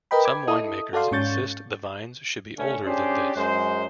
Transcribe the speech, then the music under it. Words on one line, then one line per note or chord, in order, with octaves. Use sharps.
Some wine makers insist the vines should be older than this.
A#4 B4 D#5 G5 B5
D6 G#6
E4 A4 D#5 D#6
F#4 A4 D5 F5 C6
G#2 C#4 C#6 G6 A6
D3 A3 C#4
C#4 D4 G4 G#4 C5
F#2 G#3 C5